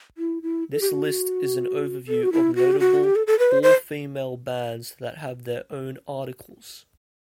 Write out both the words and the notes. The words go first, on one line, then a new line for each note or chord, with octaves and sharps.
This list is an overview of notable all-female bands that have their own articles.
E4
E4
A4
G4
F#4
A4
F#4
E4
F#4
G4
F#4
G4
A4
A4
B4
C5
C5